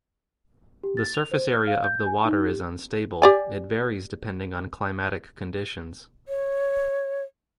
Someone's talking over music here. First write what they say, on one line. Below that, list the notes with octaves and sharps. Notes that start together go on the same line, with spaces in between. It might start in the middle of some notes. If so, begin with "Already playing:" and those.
The surface area of the water is unstable, it varies depending on climatic conditions.
G4
A6
F7
C5
F6
F5
G6
G#5
D#4
G4
G4 D5 G#5
C#5